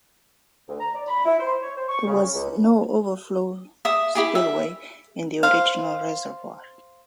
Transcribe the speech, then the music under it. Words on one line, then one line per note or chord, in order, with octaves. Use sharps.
There was no overflow spillway in the original reservoir.
D2
A#5
D5
B5
E4
C5
C#5
C5
C#6
C#3
C#4
C#2
E5 D#6
E4 G4 G#4
E5
C5 F5